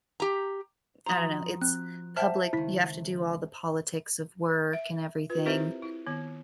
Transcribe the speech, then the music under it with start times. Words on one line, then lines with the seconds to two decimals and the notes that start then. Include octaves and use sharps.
I don't know, it's public you have to do all the politics of work and everything,
0.20 G4 A#5
1.06 F3 F#4 C5 A#5 D#6
1.61 C4 F#6
2.16 C5 E5 F#5 G5 A5 F6
2.53 C#2 D#3 E4 B6
4.73 E5
5.30 F4 B4
5.46 C4 E4 G4 A#4 C5 E5
5.82 E4
6.07 D#3 B3